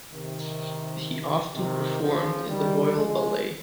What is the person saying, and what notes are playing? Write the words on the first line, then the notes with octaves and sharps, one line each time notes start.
He often performed in the royal ballet.
C3 D#3
C3 D#3
C#3 F3
D#3 G3
F3 G#3